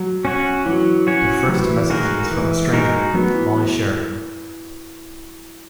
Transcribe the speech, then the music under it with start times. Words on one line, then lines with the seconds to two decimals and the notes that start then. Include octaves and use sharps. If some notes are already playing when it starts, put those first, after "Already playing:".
The first message is from a stranger, Molly Sheridan.
Already playing: F#3
0.25 C#4 F#4 C#5
0.66 E3 F#3
1.07 C#4 F#4 C#5
1.48 E3 F#3
1.90 G#3 D#4 F#4 A#4
2.31 E3
2.73 G#3 D#4 F#4 A#4
3.14 F#3 B3
3.35 E3